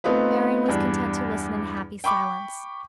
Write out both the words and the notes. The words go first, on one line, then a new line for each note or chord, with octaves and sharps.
Marian was content to listen in happy silence.
A3 B3 C4 D#4 F4 B4
E2 G2 D4
G5 B5 C#6 D6